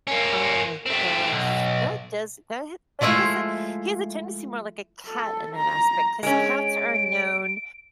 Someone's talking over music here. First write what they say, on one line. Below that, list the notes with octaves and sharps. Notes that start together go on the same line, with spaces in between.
Oh my gosh, so that does that ha that has a he has a tendency more like a cat in that aspect 'cause cats are known
A#3 C#4
A3 C4
B1
F3 G#3 A3 E4 F4
A4
A#5
G#3 C#4 D7